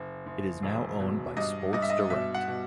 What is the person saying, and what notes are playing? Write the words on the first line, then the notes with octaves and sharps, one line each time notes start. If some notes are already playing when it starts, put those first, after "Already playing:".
It is now owned by Sports Direct.
Already playing: F#1
F#1
E1
B2
G2 D#5
G2 D#5
E5
D#5
B2 E5
F#5
B2